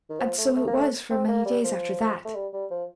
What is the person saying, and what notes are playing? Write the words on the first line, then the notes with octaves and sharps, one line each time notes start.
And so it was for many days after that.
D#3
F3
A3
A3
A#3
A3
C4
A#3
G3
F3
A3
G3
G3
F3